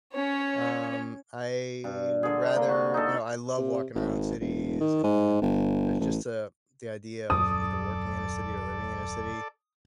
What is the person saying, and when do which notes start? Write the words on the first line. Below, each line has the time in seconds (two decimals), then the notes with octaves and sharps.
um, I would rather you know, I love walking around cities, and there's just a the idea of either working in a city or living in a city
0.13 C#4 C#5
1.84 G2
2.23 D3 G#4
2.56 A#3
2.69 F#4
2.94 D#4 G#4 A4
3.58 C3
3.95 G#1
4.41 E1
4.81 D#3
5.04 G#2
5.42 G1
6.00 A1
7.30 D#1 F#2 A4 D5 D#6